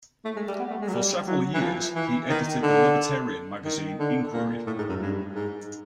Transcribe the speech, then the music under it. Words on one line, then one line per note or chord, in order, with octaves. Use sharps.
For several years he edited the libertarian magazine "Inquiry".
A3
G#3
G3
B3
A3
G#3
F#3
G3
F#3
E3
F3
E3
D#3
D3
D#3
D3
A#2
A2
G#2
F#2
G2
G#2